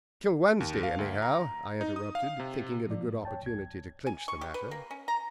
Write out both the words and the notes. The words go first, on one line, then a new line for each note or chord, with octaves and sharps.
"Till Wednesday, anyhow," I interrupted, thinking it a good opportunity to clinch the matter.
D#2
F5
D2
A#5
D#4
D#6
F5
C3
A2 F3 D5
G#2
C#5 G5 A5
C2 F2 G#6
G#5
C#6
G4
B4
A#3
C#4
A#5